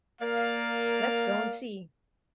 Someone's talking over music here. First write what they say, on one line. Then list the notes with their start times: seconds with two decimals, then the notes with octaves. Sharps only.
Let's go and see.
0.22 A#3 A#4 D5 F5